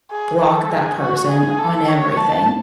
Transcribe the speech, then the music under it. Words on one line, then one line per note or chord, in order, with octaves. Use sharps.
block that person on everything,
G#4
A4
G#4
F#4
G#4
A4
C#5
A5